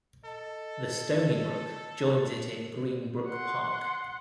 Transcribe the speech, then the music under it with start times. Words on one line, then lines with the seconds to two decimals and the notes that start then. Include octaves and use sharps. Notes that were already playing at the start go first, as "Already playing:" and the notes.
The Stony Brook joins it in Green Brook Park.
0.25 A4 D#5
3.28 F#5 C6